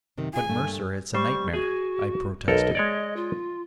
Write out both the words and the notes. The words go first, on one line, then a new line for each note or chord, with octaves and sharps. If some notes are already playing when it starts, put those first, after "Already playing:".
"But, Mercer, it's a nightmare!" I protested.
F#2 C3 D#3
F4 G#4 G#5
G2 A3 A#3
G3 C5 C#6
F#4 G#4 G#5
B1 A4 A#4 D#5
G#3 C#5 D5
F4